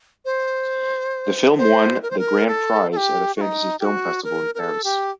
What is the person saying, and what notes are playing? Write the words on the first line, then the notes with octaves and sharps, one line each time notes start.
The film won the grand prize at a fantasy film festival in Paris.
C5
C5
A#4
C5
A#4
A4
A4
G4
F#4
D#4
G4
F#4
A#4
A#4
A4
G4